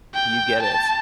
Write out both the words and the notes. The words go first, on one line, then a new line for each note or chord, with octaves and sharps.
You get it.
G5
A5